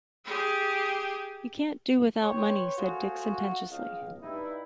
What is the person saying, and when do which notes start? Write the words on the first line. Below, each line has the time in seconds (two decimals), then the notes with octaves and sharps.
"You can't do without money," said Dick sententiously.
0.25 G4 G#4
2.22 B4 C#5 G5 C6
2.78 A3 F4 F#4 G#4 C5
3.70 C#2 D#5 F5
4.22 G2 D#4 E4